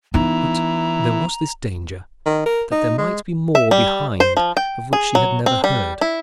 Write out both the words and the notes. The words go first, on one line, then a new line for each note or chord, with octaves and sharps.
But there was this danger,--that there might be more behind of which she had never heard.
E3 B3 D#4 A#5
D#3
A#4
D#4
G#3
E5
G3
C5
F3
G5
G#4
F#3
C4
G3
E4